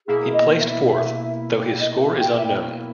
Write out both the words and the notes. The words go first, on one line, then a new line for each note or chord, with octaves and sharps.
He placed fourth, though his score is unknown.
B2 A#3 E4 G#4
D#5
E5
G5
D#5
E5
G5
E5
G5